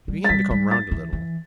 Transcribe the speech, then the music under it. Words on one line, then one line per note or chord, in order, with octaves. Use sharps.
He began to come round a little.
G3
A6
G3 B6
G3
A6
E3
E3